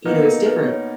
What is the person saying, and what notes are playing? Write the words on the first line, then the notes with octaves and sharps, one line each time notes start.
you know, it's different
B2 A#3 D#4 B4
A#4
B4
C#5